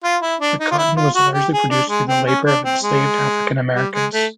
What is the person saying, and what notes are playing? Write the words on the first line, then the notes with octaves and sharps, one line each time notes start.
The cotton was largely produced through the labor of enslaved African Americans.
F4
E4
D4
D#4
F4
E4
F4
F#4
G4
G#4
D4
G#3
C4
C#4
D4
C4
G#3
G3
G#3
A3